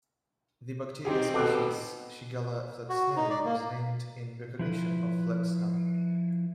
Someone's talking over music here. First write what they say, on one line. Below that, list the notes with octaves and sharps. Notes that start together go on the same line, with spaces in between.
The bacteria species "Shigella flexneri" was named in recognition of Flexner.
D#3 G3 C4 D#4 G4 G#4
B2 A4 D6 F#6
F#4
D#4
D5
A#3
F3 E4 B4